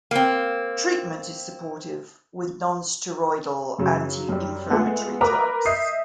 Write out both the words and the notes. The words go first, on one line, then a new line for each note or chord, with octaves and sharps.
Treatment is supportive, with non-steroidal anti-inflammatory drugs.
A#3 C4
F#2 C#3 F#3
F#2 G3
G#3 A3 B3 F4 G#4 F#5
A#4 B4 A#5 B5 D6
D#5 E5 D#6 G6 C7